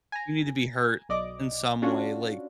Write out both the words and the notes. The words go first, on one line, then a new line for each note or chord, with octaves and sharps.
you need to be hurt in some way, like
G#5 A#5
B1 D5 D#5 D6
C#4 D4 F4 F#4